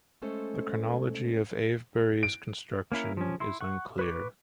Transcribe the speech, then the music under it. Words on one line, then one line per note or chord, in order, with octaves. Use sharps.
The chronology of Avebury's construction is unclear.
G#3 A3 C#4 A4 C5
D7
A#3 C#4 E4 A#4
F3 C#4
E4 C6
F#5 C#6
B4 C#6 D6